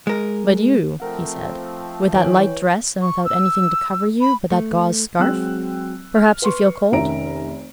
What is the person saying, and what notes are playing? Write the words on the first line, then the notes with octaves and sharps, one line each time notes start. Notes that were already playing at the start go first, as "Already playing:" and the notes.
"But you," he said, "with that light dress, and without anything to cover you but that gauze scarf, perhaps you feel cold?"
G#3 A#4
F3 A3 C4 A#4 F#5
E3 C#5 G5 G#5
C#6
E6
B5
A3
F#3 G#3 C4 G5 E6 F#6
F6
B4 C6 C#6
F1 D#3 C#4 E5 A#5 D7